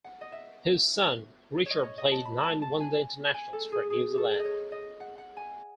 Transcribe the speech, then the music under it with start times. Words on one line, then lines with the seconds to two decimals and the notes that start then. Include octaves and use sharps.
His son Richard played nine one-day internationals for New Zealand.
0.04 F#5
0.21 D#5
0.32 E5
1.66 C#5 D#5
1.83 C#5
1.98 D#5
2.12 A5
2.25 B5
2.43 A5
2.62 A5
2.80 G#5
3.34 G#5
3.53 A4
3.72 G#4
3.90 G#4
4.18 A4
4.39 D#5
4.45 C#5
4.72 D#5
5.00 F#5
5.18 F#5
5.37 G#5